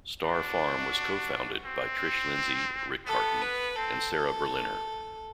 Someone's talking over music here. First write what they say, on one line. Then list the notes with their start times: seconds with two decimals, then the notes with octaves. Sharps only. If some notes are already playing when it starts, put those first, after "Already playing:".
Star Farm was co-founded by Trish Lindsay, Rick Carton and Sara Berliner.
0.25 D4 F#4
1.66 C4
3.06 B3 A4
3.41 B4
3.76 C4 A4